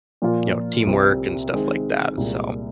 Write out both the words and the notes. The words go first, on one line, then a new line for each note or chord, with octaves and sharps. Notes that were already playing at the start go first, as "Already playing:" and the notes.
you know, teamwork and stuff like that, so,
A#2 F3 A#3 F4
C2 C3 G3 C4
D#3 G#3 C4
C2 A#2 G#3